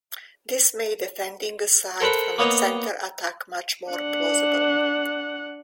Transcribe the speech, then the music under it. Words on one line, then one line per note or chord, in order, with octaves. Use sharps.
This made defending a side from a center attack much more plausible.
A4 A#4 C5 F#5 B5
A#3 B3 C#5 D#5 F5
D4 F#5